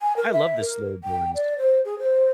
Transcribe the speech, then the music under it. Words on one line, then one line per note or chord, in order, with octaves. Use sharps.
I love the slow burns.
G#5
A#4
E5
A#4
G5
D5
C5
G#4
C5